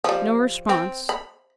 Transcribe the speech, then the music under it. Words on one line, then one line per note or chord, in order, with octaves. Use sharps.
No response.
F3 G3
C4
B5